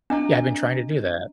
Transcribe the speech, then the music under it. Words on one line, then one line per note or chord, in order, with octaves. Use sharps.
Yeah, I've been trying to do that.
C4 D4 D#5 A#5